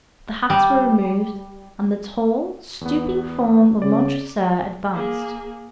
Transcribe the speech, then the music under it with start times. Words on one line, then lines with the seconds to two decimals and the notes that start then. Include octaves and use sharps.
The hats were removed, and the tall, stooping form of Montresor advanced.
0.50 G3
2.81 E2 B3
3.82 C#3 D5
4.93 A#3 G#4